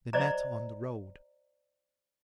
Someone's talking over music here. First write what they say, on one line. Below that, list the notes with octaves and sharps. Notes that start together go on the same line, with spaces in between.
They met on the road.
C5 D5 D#5 A#5